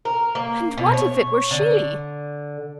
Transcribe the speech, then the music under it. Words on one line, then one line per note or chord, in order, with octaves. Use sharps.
And what if it were she!
A#4
A#3
B2
C#5
D3